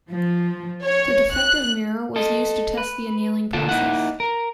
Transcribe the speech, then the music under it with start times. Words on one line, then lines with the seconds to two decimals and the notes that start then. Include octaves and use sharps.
The defective mirror was used to test the annealing process.
0.12 F3
0.84 C#5
1.33 F#6
2.16 A4 D#5
2.77 B4
3.53 D3 A#3 D4 F4 A4
3.69 A#3 D#4 E4 F#5
4.20 A#4